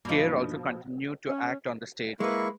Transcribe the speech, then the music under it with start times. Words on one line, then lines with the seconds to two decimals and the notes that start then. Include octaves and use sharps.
Keir also continued to act on the stage.
0.05 G2 B2 F3 A#3 D4 D#4
1.28 C#4
2.20 G#3 A#3 E4 B4 C#6